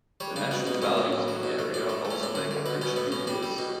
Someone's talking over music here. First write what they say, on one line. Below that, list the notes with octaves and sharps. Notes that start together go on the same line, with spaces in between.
The natural values in the area also makes a bridge dubious.
G3 C#5
C#3 D4
B2 B3
B2 B3
A2 C#4
A2
A2
F#3
B2
A3
A2 D4
A3
A3
C#4
A2 D4
D3 E4
D3
B2 B4
B2 C#4
A2 B3
A2 C#4
G3 D4
G3
B2